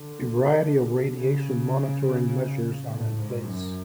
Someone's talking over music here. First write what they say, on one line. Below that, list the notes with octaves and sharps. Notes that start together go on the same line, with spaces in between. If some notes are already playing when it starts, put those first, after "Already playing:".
A variety of radiation monitoring measures are in place.
Already playing: D3
C#3
A2
G#2
F#2